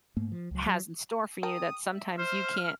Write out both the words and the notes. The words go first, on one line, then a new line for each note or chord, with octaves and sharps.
has in store for you that sometimes you can't
G#2 A3 A#3
F3
C#2 F#3
F#3
A#4 G5 A5 D#6
E5
C5 F6